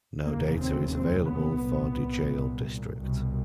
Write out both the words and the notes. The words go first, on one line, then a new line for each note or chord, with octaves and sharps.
No data is available for Dujail District.
F1 D#2 C#3 A#3
C4
C4
B3
C2 A#2
C2 B2